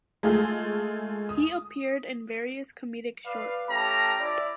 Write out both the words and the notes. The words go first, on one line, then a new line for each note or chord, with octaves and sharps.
He appeared in various comedic shorts.
G#3 A3 F4 G#4
D#6
B4 D5 F5
A3 C#4 G4 A5 A#5
E4 D5